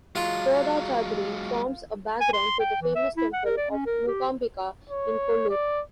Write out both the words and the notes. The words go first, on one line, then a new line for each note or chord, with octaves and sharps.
Kodachadri forms a background to the famous temple of Mookambika in Kollur.
F#3 G#3 F4
G#5
C6
G5
E3
E5
E4
F#5
A#4
D5
C#4
A#4
G4
C#5
D5